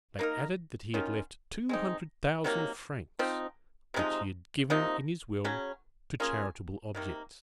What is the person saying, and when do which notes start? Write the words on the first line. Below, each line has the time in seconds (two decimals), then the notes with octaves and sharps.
They added that he had left two hundred thousand francs, which he had given in his will to charitable objects.
0.19 A#3 D#4 A#4
0.94 D#3 F#3 C#4 F4
1.69 G#3 C4 D#4
2.44 C3 D#3 F#3 A#3
3.19 F3 C4 D#4
3.94 C3 F3 G#3 D#4
4.70 C3 F3 A#3 D#4
5.44 C#3 F#3 C#4
6.20 A#3 C#4 F4 G#4
6.95 C3 D#3 A#3